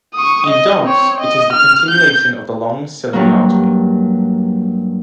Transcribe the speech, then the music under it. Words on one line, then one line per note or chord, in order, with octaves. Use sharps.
In dogs, it is the continuation of the long ciliary artery.
C#6 D#6
D#5
C4 C#5
D#5
F6
G6
G2 F#3 A#3